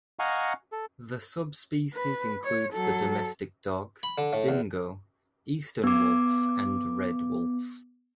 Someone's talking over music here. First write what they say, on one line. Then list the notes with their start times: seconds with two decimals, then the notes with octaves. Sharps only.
The subspecies includes the domestic dog, dingo, eastern wolf and red wolf.
0.19 D#5 F5 F#5 G#5 A#5 C#6
0.72 A4
1.93 B4
2.44 C#5
2.73 F#3 A4
4.03 B5
4.18 D3
4.33 A2
4.49 E2
5.84 B3 D6